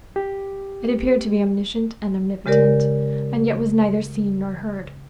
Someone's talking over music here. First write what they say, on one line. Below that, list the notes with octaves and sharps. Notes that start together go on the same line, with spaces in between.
It appeared to be omniscient and omnipotent, and yet was neither seen nor heard.
G4
C#3 G#3 G4 A#4 D5